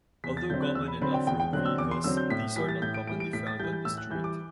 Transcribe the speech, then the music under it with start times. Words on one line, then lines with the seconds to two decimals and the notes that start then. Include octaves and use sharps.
Although common in off-road vehicles these are not commonly found on the street.
0.24 E2 B6
0.37 A6
0.50 D3 F#3 C4 G6
0.62 F#6
0.75 E2 E6
0.88 B5
1.01 D3 F#3 C4 B5
1.14 G5
1.27 E2 G5
1.40 G5
1.53 D3 F#3 C4 F#6
1.65 E6
1.78 E2 D6
1.91 C6
2.04 D3 F#3 C4 E6
2.17 G6
2.30 A2 B6
2.56 E3 G3 B6
2.69 A6
2.82 A2 G6
2.94 D7
3.07 E3 G3 D7
3.20 D7
3.33 A2 B6
3.47 A6
3.60 E3 G3 G6
3.73 G6
3.85 A2 E6
3.97 F#6
4.10 E3 G6
4.15 G3
4.24 D6